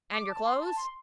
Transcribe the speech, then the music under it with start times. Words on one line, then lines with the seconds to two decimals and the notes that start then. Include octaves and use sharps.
"And your clothes?"
0.12 D6
0.29 A5
0.44 C6
0.60 A5
0.76 C6